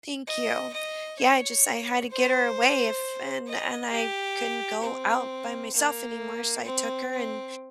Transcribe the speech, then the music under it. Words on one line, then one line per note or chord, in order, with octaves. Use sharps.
Thank you. Yeah, I just I had to get her away if and and I couldn't go out by myself anymore, so I took her, and,
D#5
D#5
C#5
C5
D#5
G4
C4
A#3
C4
C4